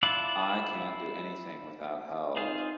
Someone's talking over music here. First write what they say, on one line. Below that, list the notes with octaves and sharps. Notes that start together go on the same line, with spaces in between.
I can't do anything without help.
E4 F4 A4 D5 F#5
C4 D#4 F4 G#4